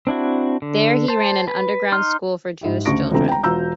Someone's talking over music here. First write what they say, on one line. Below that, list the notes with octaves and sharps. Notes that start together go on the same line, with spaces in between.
There he ran an underground school for Jewish children.
C4 D4 E4 F#4
D3
C5 A5
B4
D#4 C6 F6
G#2 E4 G4
D2 C#3 C#6 A#6 D7
E1 C#2 D3 A3 C4 A#5
G5 A#5
E1 F4 F#4 A#5 E6 G6